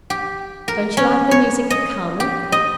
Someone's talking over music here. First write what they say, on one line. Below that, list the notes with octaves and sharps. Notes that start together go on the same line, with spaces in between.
Don't you like the music of CARMEN?'
G4
A#4
C#4
C#5
D#5
G4
D#5